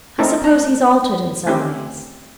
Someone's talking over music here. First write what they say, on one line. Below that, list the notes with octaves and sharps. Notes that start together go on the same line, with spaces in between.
'I suppose he's altered in some ways?'
A3 C4 D#4 E4 A4 A#4
D4 A#5
A3 C4 C#4 E4 G4